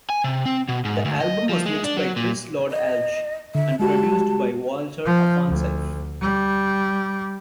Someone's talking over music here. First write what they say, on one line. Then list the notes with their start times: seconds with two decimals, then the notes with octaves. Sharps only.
The album was mixed by Chris Lord-Alge and produced by Walter Afanasieff.
0.10 G#5
0.24 C3
0.45 C4
0.68 B2
0.85 G#2
1.05 D2
1.21 D#5
1.49 F3
1.65 G#3
1.84 D4
1.97 F#3
2.16 A#2
2.71 D#5
3.55 D3 E5
3.80 G#3 F#4 G4 A5
5.05 F3
5.47 D2
6.21 G3